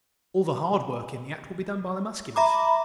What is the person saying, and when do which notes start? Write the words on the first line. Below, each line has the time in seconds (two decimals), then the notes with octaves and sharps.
All the hard work in the act will be done by Musculars.
2.36 E5 A#5 B5 D6